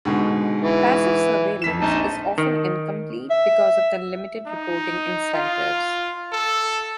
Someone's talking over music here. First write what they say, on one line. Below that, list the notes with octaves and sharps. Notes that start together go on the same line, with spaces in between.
Passive surveillance is often incomplete because of the limited reporting incentives.
G#2 B2 D3
E3
F2 B6 E7
A#1 D#4 A5
D#3
E5
D#4
F4
A4